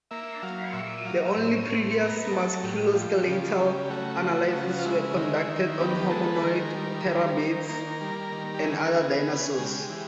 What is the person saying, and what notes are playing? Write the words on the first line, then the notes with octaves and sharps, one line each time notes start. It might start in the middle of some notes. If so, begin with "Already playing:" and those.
The only previous musculoskeletal analysises were conducted on homonoids, terror birds, and other dinosaurs.
A#3 E5
F#3 F5
A#2 E5
F#3 F5
F5
E5
A2
C#5
A2
C5
B3 A#4
F#3 A4
A2 G4
F3 G4
C#3
C#3
A3 F#4
F3
C#3
F4
G#3 E4
D#3
D#3
B3 G4
G#3 A4
B4
D#3 A#4
G3
D#3
D#3
A#3
G3
D#3
G4
E3 G#4
B3
C#3
G#3 G4
E3